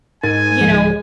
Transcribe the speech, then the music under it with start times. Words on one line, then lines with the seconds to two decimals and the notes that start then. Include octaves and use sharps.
you know,
0.23 G#2 D#4 A#4 G#5 A6
0.61 D1 F3 G#3 G#4